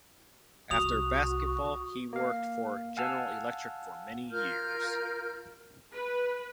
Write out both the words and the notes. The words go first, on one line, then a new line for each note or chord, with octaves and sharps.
After basketball he worked for General Electric for many years.
C2 F#4 D#6 F7
A#3 F5
F5 F#5 G#5 A5 E6 F6
F4 A#4 F6 G6
B4